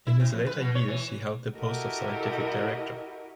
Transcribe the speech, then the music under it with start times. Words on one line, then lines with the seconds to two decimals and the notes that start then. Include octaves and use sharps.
In his later years he held the post of scientific director.
0.07 E4
0.20 C3
0.33 F2
0.47 B4
0.60 B2
0.75 C#5
0.88 E3
1.56 E4 F#4 G4 A4 A#4 D#5